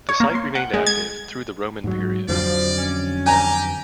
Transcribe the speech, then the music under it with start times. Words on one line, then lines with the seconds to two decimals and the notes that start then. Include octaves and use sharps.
The site remained active through the Roman period.
0.09 C#5
0.20 A#3
0.35 C6
0.55 F#5
0.74 G#3
0.87 G#6
1.84 G#2 F#3
2.28 F2 D3 F3 F#3 D5
2.77 C#4
3.26 G4 G#5 A#5